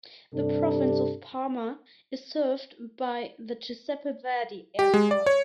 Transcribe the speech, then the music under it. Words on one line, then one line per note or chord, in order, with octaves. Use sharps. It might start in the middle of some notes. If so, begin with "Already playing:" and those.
The Province of Parma is served by the Giuseppe Verdi Airport.
G2 C3 D4 A4
G4
G#3
D5
C#5